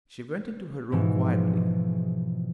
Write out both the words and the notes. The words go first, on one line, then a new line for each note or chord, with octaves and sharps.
She went into her room quietly.
G#2 B2 E3 F3 G#3